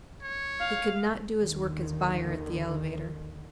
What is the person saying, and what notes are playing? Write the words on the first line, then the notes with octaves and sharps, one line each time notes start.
He could not do his work as buyer at the elevator.
C#5
F5
D#2 D3 D#3